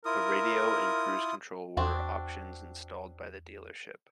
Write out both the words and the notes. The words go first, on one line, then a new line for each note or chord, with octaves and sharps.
A radio and cruise control were options installed by the dealership.
E4 F4 A#4 D#6
E2 C4 D4 F#4